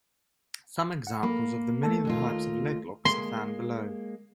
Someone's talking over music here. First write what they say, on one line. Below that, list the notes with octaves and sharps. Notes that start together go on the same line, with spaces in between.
Some examples of the many types of leglocks are found below.
F#5
A#3 B5
A3 A4 A5
D#2 D#4 F4
G#3 A#3 C6